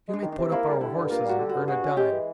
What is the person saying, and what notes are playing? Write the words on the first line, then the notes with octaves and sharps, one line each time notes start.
"You may put up our horses and earn a dime."
G#3 D4
D#3
D4
C3
A#3 E4
G3
D3 E4
G2
A#3 F4
G3 F#4
D3
G2 F#4
F#4 G#4
C#4
G#3 G4
E3